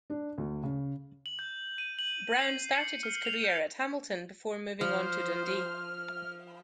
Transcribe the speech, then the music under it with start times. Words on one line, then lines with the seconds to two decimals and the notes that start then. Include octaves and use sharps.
Brown started his career at Hamilton before moving on to Dundee.
0.10 D4
0.38 D2
0.63 C#3
1.26 F#7
1.39 G6
1.78 D#7
1.99 F#7
2.41 C7
2.72 C#7
3.03 F6
3.25 F7
3.44 G6
4.81 F3 C5 F6
5.45 F6